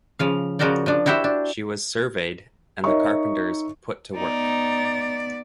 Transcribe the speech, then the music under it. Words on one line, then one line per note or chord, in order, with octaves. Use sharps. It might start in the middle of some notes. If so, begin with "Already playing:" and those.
She was surveyed and the carpenters put to work.
C#3 F3 F5
C#3 F3 F#4 A#4 C5 D5
F3 D4
E4 F#4 G4 C5 E5
D4
D#4 A#4 C#5 D#5 E5 C#6
B3 D#4 D5